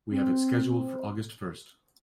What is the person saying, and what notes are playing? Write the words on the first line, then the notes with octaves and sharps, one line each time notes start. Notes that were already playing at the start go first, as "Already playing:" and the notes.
We have it scheduled for August first.
C4